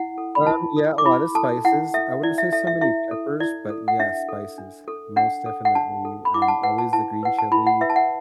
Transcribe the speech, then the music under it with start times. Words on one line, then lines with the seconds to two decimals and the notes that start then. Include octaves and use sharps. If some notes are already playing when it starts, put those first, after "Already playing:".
Um, yeah, a lot of spices. I wouldn't say so many peppers, but, yeah, spices. Most definitely, um, always the green chili,
Already playing: E4 F#5
0.18 A4
0.35 B5
0.47 E4 A5
0.76 A4
0.98 D6
1.05 E4 B5
1.35 A4 A5
1.64 E4 F#5
1.94 A4 E5
2.23 E4 D5
2.38 E5
2.53 A4 E5
2.67 E5
2.81 E4 E5
3.11 A4
3.40 E4 D5
3.70 A4
3.88 F#5
3.99 D4 E5
4.29 A4
4.58 D4
4.88 A4
5.16 D4 F#5
5.46 A4
5.65 F#5
5.75 D4 A5
6.05 A4
6.25 B5
6.34 E4 D6
6.42 F#5
6.48 A5
6.63 B4 F#5
6.78 A5
6.93 E4 A5
7.23 B4 F#5
7.39 A5
7.52 E4 B5
7.67 F#5
7.81 B4 E5
7.90 A5
7.96 F#5